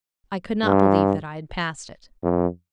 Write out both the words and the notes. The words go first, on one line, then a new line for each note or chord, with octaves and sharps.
I could not believe that I had passed it.
G2
F2